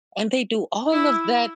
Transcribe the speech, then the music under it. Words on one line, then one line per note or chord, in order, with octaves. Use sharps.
and they do all of that
E4